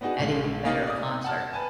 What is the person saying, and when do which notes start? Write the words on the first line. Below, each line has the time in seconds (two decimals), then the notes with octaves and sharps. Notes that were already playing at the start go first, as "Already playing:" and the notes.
Eddie Vedder concert.
0.01 B3 D4 D#4 F#4 G#4
0.19 A#1 C#3 G#3
0.65 A#3 D#4 G4 A#4 D#5 F5
0.87 D5 D#6
1.24 F#5 A5 F6
1.53 B4 G#5 A5